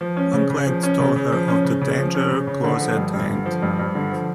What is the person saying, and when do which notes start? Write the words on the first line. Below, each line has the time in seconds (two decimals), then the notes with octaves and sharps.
One glance told her of the danger close at hand.
0.01 F3
0.17 C#4
0.33 C#3
0.50 C#3
0.66 F3
0.83 C#4
1.00 C#3
1.16 C#3
1.32 F3
1.48 C#4
1.65 C#3
1.81 C#3
1.98 F3
2.15 C#4
2.31 C#3
2.47 C#3
2.64 D3
2.80 F3
2.97 G2
3.13 G2
3.29 D3
3.46 F3
3.62 G2
3.79 G2
3.95 D3
4.11 F3